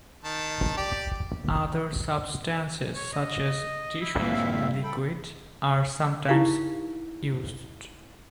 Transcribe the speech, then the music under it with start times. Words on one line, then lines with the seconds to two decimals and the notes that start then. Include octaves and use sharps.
Other substances, such as dishwashing liquid, are sometimes used.
0.24 D#3 A5
0.77 G4 D5
2.95 C#5
3.13 D#5
4.01 E4
4.19 G2 A#2 C4 E5 F5
4.83 A4 G5 B5
6.29 D#4 E4 G4 A#4 F5